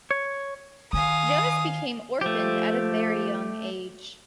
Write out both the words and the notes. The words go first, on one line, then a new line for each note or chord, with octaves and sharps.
Jonas became orphaned at a very young age.
C#5
D#3 F5 G#5 D#6
F3 A3 G4